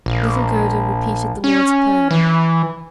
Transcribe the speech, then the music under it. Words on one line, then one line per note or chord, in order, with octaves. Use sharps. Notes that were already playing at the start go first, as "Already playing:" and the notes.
Little Gerda repeated the Lord's Prayer.
A#1
C#4
E3